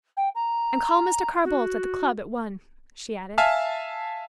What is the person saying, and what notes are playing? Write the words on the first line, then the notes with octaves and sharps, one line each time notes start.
"And call Mr. Carr-Boldt at the club at one," she added.
G5
A#5
F#4
E5 F5 G#5 A5 E6 F6